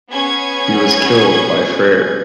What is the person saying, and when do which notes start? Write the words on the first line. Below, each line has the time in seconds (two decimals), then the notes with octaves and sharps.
He was killed by Freyr.
0.10 B3 C#4 G#4 G#6